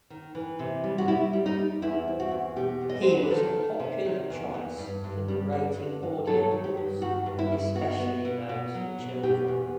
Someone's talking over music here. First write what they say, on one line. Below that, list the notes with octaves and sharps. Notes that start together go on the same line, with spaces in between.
He was a popular choice for narrating audio books, especially those for children.
D#3
E3
C3
G3
F#4
G3 E4
G3
D#4
G3
E2 E4
C4
F#4
E2
B2 G4
E2
D#5
F#3 C5
B4
D#3 A4
D#3
C3
D#3
E2
E2
G2
G2
G3
G2
G2
G2
F#3 A4
D#3
G4
G2
D#3 F#4
G2
E4
G2
B3 F#4
B3
B2
B2
F#3
B2
B2 G4
E2